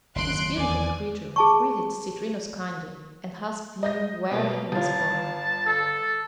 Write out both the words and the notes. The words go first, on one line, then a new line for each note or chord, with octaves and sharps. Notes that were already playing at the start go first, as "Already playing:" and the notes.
This beautiful creature greeted Citrinus kindly and asked him where he was going.
F#1 D#2 C6 F#6 D7
E2 D#3 D5 G#5
G#4 A5 C#6
D#5 G6 A#6
B2 G3 A#3
G1 F4 A5
A4